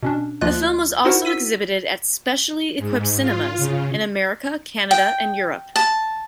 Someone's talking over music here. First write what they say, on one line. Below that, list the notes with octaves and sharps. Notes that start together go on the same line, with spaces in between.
The film was also exhibited at specially equipped cinemas in America, Canada, and Europe.
B2 C#4 D4
D2 F3 A#3 F4 D#5 F#6
D#4 E4 F#4 A#4 C5 F#5
E6 B6 D#7
G#2
F4
C#3
G5
A5